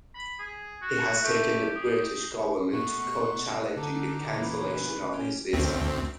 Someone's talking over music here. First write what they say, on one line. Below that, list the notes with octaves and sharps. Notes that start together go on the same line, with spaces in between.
He has taken the British Government to court challenging the cancellation of his visa.
B5
G#4
F#4
A3 G4
G#4
B2 A3 F#5 C#6
D3 D#4 A4 D6
A#2 C#3 E3 A3 B4
C#4 G4
D2 C4